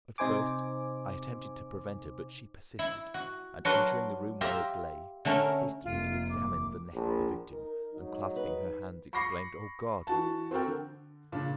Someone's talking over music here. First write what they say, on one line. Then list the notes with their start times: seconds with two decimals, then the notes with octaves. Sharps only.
At first I attempted to prevent her but she persisted, and entering the room where it lay, hastily examined the neck of the victim, and clasping her hands exclaimed, 'O God!
0.18 C3 D#4 C5 G#5 D6
2.79 E4
3.14 F#4
3.65 F#3 D4 F#4 A#4 B4 C6
4.41 F4 G4 E5 A#5
5.25 D3 A3 C#4 A#4
5.84 F1 A#3 F4
6.29 D6
6.93 A#1
7.53 D#4 A#4
7.93 G#2 F#3 D#4
8.36 B4
9.13 B5 C#6 D6 A#6 C7 C#7
10.07 E3 F#4 A5
10.51 C4 F#4 A4 A#4 G5
10.66 D3
11.32 A#2 C#3 D4